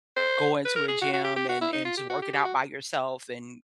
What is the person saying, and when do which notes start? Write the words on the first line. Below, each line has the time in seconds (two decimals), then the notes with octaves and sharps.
going to a gym and and just working out by yourself and,
0.17 C5
0.65 B4
0.76 A#4
0.88 G#4
1.01 F#4
1.13 F#4
1.24 G4
1.36 G4
1.49 F#4
1.61 E4
1.73 D#4
1.85 F4
1.97 G4
2.10 F#4
2.22 G4
2.33 G4
2.45 F#4